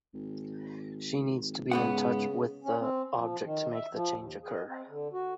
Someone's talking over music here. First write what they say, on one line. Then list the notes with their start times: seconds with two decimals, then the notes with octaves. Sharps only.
She needs to be in touch with the object to make the change occur.
0.14 G#1
1.71 G#2 C#3 B3 F#5
2.64 C#4
2.79 C4
3.16 F3
3.44 D#3
3.74 E5
3.93 F3
4.15 D#2
4.43 G#4
4.54 D#5
4.66 C4
4.89 D3
5.13 F#4